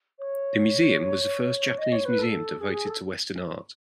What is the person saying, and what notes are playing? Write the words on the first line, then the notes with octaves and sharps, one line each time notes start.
The museum was the first Japanese museum devoted to Western art.
C#5
D#5
C#5
B4
A4
G#4
G#4
A4